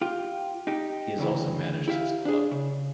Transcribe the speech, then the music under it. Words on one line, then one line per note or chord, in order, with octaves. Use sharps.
He has also managed his club.
F4 G4
D#4 G4
D2 C#3 E3
E4 G4 E5 F5
D4 G#4
C#3